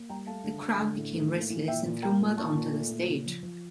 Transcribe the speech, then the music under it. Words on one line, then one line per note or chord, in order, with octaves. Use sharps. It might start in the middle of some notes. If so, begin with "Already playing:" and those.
The crowd became restless and threw mud onto the stage.
Already playing: A#3
G3 G5 A#5
A3 F5 A5
D3
D3
D3
A2
A2
A#3
E3
A#2 E5 G5
A#2
A#3 G5 A#5
A#2
A#2 A5 C#6
A#2
A3
A#2
C#3
F3
F3